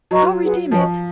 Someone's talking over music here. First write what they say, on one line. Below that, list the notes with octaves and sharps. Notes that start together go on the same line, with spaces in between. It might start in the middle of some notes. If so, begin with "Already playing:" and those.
How redeem it?'
F#3 B4 D#5 A#5 C#6
F4 G#4 B4 F#5
F3 C#4 F#4 B4 D#5